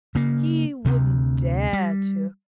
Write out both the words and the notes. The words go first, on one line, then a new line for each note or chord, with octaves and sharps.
He wouldn't dare to.
C#3 A#3
D2 C3
G3